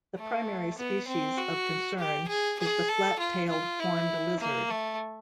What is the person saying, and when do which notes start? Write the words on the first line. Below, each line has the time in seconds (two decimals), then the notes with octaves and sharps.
The primary species of concern is the flat-tailed horned lizard.
0.17 A3
0.78 B3
1.07 C4
1.38 F#4
1.98 G4
2.28 G#4
2.59 G#4
2.89 A4
3.19 F4
3.49 F4
3.79 E4
4.40 A#3
4.70 A3